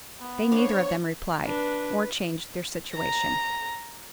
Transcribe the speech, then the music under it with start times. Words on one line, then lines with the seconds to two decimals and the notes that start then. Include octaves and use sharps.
They neither of them replied, or changed their situation.
0.19 B3
0.52 D4 C5 C#5 F5
1.46 D4 B4
2.95 A#5